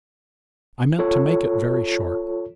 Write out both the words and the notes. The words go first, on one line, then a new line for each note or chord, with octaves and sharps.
I meant to make it very short.
F4 A4 C#5